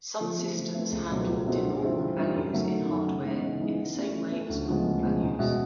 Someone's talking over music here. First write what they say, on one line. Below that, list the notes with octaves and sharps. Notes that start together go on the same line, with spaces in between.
Some systems handle denormal values in hardware, in the same way as normal values.
F3
A3 C4
F3
A3 C4
C#2
B2 F#3 A3 C4
C#2
B2 F#3 A3 C4
G2
E3 G3 C4 F4
G2
E3 G3 C4 F4
F#2
D#3 F#3 A3
F#2
D#3 F#3 A3
C#3
E3 G#3 B3 D#4
C#3
E3 G#3 B3 D#4
E3
A3 C#4
E3
A3 C#4
D2
C#3 F3 G#3 B3
D2
C#3 F3 G#3 B3
E2
B2 G#3 C#4 E4